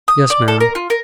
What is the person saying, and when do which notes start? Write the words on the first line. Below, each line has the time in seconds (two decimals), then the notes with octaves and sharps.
'Yes, ma'am.
0.08 D#6
0.30 D5
0.48 A4
0.60 A#4
0.75 F4
0.90 A#4